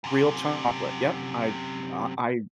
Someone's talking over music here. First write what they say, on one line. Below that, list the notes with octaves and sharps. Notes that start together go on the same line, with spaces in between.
real chocolate. Yep. I I I
F#2 C3